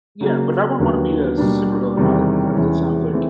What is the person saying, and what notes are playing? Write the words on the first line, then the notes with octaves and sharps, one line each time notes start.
Yeah, but I wouldn't wanna be a supervillain either 'cause that just sounds like
C#3 F#3 A#3
D#2 D3 F#3 B3
B2 G3 A#3 D4
E2 C3 D#3 G3 C4
E2 C3 E3 G#3 C#4
E3 A3 C4